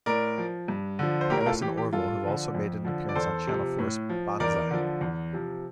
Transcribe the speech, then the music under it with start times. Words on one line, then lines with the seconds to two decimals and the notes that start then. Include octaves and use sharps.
Harris and Orville have also made an appearance on Channel Four's "Banzai".
0.06 A2 A#4 D5
0.38 F3
0.68 G2
0.99 D3 F3
1.21 C5
1.30 A2 G4 A#4
1.41 A#4
1.46 F4 A4
1.61 E3 G4
1.77 G4
1.93 G2 F4 A4
2.23 D3 F3
2.55 F2
2.85 D3 F3
3.09 D5
3.15 E2 A4 C5
3.47 C3 F3
3.79 A2
4.09 F3
4.40 E2 A#4 D5
4.71 D3 F3
5.01 E2
5.33 C3 F3